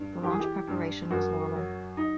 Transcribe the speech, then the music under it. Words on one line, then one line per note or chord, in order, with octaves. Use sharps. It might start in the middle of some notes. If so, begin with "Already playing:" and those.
The launch preparation was normal.
Already playing: G2
E3 G4
G#4
G4
G2
F#2 F#4
F#3
D#4